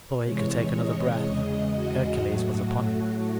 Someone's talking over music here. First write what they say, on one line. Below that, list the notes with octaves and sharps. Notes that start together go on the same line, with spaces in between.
Before he could take another breath, Hercules was upon him.
C3 E3 G#3 C#5
D#5
E2 C#3 G#3
F#4
A2 F#3 A3